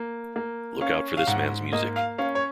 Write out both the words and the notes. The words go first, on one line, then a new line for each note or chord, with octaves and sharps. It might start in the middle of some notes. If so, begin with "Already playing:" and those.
Look out for this man's music'.
Already playing: A#3
A#3
C#4 F5
F5
G#2 F#5
A#3 D#5
F5
C#4 F5
C#5